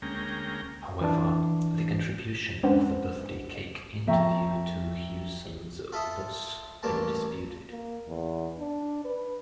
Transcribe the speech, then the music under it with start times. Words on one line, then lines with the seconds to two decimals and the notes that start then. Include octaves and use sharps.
However, the contribution of the birthday cake interview to Hewson's loss is disputed.
0.02 D2 G#3 A#3 C#4 G5 A#5
1.01 E3 D4
2.63 G#3 C#4 D4 B4 C5 F#5
4.07 F2 E5 G5 A#5 C#6
5.92 F4 A4 E5 D#6
6.83 A1 G2 A#3 A5
7.71 A#3
8.07 E2
8.58 D4
9.05 B4